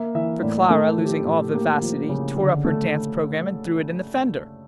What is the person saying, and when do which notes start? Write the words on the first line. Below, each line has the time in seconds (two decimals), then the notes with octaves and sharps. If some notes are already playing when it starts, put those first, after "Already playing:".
For Clara, losing all vivacity, tore up her dance programme and threw it in the fender.
Already playing: A#3 E5
0.15 E3 E5
0.42 A2 D5
0.70 A3 A#4
0.98 F3
1.05 G4
1.12 A4
1.26 A2
1.53 A#3 G4
1.82 F3
2.09 C#3
2.36 D3
2.65 A3